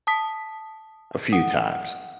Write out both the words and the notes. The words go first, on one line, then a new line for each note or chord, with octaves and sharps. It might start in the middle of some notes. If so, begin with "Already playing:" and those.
a few times.
A5 D#6 B6
F#5 D#6